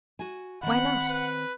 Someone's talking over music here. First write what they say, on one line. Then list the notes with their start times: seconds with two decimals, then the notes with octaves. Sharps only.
"Why not?"
0.19 F#4 G#5
0.63 D#3 C4 F#5 B5
1.08 B4